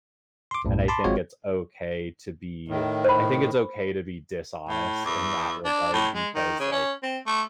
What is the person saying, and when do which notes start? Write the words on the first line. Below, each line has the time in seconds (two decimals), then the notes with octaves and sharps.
and I think it's okay to be I think it's okay to be dishonest in that regard because, like,
0.51 C6 D6
0.65 B1 F#2 A2
0.88 A5 B5 C6 D6
1.04 G#1 G#3 C4 F4 F#4 C#5
2.68 A2 D#3
3.04 C5 B5
4.69 A2
5.05 E2
5.65 D4
5.93 A2
6.14 G#3
6.35 D#3
6.59 C#3
6.72 C#4
7.03 C4
7.26 A3